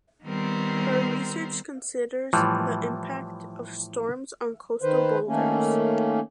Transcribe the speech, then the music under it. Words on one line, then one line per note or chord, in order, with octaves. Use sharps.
Her research considers the impact of storms on coastal boulders.
D#3 G3 B3 C4 A#4 C5
A2 E3 F3 G3
D#3 B4 C5
D#3 A3 A#3 C#4